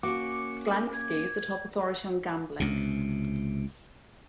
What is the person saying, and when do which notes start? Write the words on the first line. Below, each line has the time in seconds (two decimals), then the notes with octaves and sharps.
Sklansky is a top authority on gambling.
0.03 A#3 C#4 F#4 D6 C#7
0.93 G#6
2.60 C#2 C3